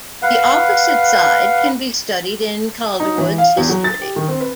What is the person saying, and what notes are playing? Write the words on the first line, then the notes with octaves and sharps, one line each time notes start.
The opposite side can be studied in Calderwood's "History".
B4 F5 F#5
D#4
E3
F5
E2
F#3
A6
G4
D#3
C4
B4